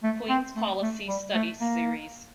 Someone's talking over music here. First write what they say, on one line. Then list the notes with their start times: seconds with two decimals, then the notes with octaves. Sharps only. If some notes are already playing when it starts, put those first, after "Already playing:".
Queen's Policy Studies Series.
0.03 A3
0.29 C4
0.56 A3
0.82 A3
1.08 G3
1.34 A3
1.60 A#3